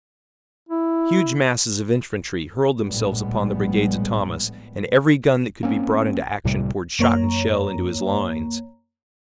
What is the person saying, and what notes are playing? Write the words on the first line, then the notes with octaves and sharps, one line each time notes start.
Huge masses of infantry hurled themselves upon the brigades of Thomas, and every gun that could be brought into action poured shot and shell into his lines.
E4
A#1 A2 G3 G#3 B3
A#3 C4 C#4
C2 A2 C3 G3
F#2 A#3 C#5 A#5